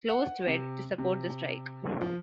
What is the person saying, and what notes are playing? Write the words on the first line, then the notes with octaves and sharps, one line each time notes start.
Closed Wed. to support the strike.
F#5
C3
C3
F3